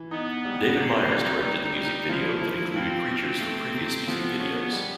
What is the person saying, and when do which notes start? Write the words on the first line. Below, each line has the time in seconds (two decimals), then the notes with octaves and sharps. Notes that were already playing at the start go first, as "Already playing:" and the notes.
David Meyers directed the music video, that included creatures from previous music videos.
Already playing: E3
0.11 B3 D#4
0.45 G3
0.77 C3 A#3
1.10 G3 D#4
1.44 G3
1.76 G3
2.09 F3 E4
2.42 F3
2.75 C4 F4
3.08 F4
3.40 A3
3.74 C3
4.07 F3 B3
4.40 B3 C#4
4.73 G3